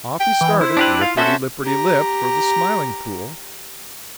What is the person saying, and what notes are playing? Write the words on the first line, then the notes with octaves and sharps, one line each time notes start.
Off he started, lipperty-lipperty-lip, for the Smiling Pool.
G5
E3
E4 C5
D4 G4 B4
F4 F5
C#4 F#4 A4 C5 E5
G4 A#5